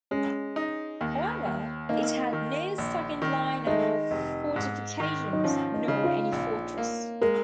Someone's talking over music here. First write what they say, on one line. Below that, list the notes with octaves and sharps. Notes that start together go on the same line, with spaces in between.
However, it had no second line of fortifications, nor any fortress.
G#3 C#4
D#4
D#2
D#2
A#3 D#4
D#3
A#1
D#3
G#3 D#4
F1
G#2
D#3
D#4
F3 C#4
D#4
C#3
F4
A#1
A#3
G#3 A#4